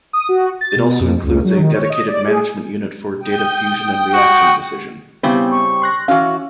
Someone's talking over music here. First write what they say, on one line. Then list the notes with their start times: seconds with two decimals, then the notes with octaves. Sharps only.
It also includes a dedicated management unit for data fusion and reaction decision.
0.13 D#6
0.29 F#4
0.61 A6
0.76 B2
1.00 F2
1.24 C#2
1.45 F#3
1.58 D#3
1.74 C#5
1.90 D#5
2.08 D5
2.28 G#4
3.19 G5 D#6 G6
4.14 F#4
5.23 C#3 G3 B3 C4 E4
5.51 C#6
5.82 C6 F#6 A#6
6.08 E3 C#4 F#4 F5